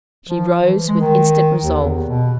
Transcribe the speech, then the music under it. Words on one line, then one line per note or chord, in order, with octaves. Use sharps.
She rose with instant resolve.
F3
E3
G#3
D#3
D#2
E2
B2